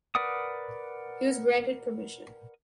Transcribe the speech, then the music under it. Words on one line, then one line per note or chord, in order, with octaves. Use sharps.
He was granted permission.
A#4 B4 D5 F#5 D#6